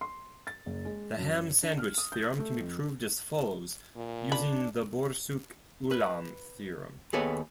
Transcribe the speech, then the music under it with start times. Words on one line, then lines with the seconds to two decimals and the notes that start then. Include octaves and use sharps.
The ham sandwich theorem can be proved as follows using the Borsuk-Ulam theorem.
0.01 C6
0.47 A6
0.66 F#1
0.85 G#3
1.17 F#2
1.63 D4
1.78 F6
1.98 D#6
2.12 G6
2.39 A3
2.60 F2
3.95 A#2
4.32 D4 B5
5.91 B4
7.13 D#2 B3 G#4 A4 B4 C#5